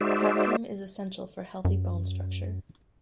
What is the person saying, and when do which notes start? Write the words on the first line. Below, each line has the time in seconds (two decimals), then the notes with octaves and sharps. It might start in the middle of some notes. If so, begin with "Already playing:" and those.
Calcium is essential for healthy bone structure.
0.01 G#3 D#4 F#4 C5 D5 E5
1.65 F#2